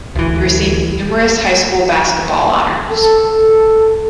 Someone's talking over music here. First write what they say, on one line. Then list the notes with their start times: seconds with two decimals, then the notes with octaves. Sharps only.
He received numerous high school basketball honors.
0.15 D2 E3
2.91 A4